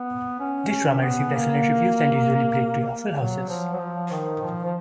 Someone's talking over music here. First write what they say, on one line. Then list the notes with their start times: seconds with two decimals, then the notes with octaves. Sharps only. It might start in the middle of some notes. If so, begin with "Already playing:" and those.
This drama received excellent reviews, and usually played to full houses.
Already playing: B3
0.40 C#4
0.70 C#4
1.02 B3
1.32 A#3
3.18 F#3
3.49 F3
3.73 F#3
3.79 F3
4.11 D#3
4.41 F3
4.65 F3